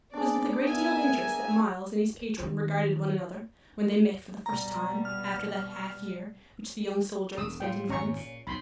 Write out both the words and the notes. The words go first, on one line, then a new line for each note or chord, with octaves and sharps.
It was with a great deal of interest that Myles and his patron regarded one another when they met for the first time after that half-year which the young soldier had spent in France.
B3 D4 G#4 D5
A#4 E5 G#5
D#3
B2 G3 A#5
F6
E1 D#6 E6
A2 F4 G5
G#1 F2 C#4 A#5 C#6
A#2
B1 F2 B5 C6